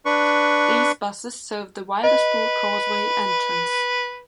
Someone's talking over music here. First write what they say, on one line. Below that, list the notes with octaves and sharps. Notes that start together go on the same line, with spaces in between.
These buses serve the Wilderspool Causeway entrance.
D4 B4 C#6
B4 D#5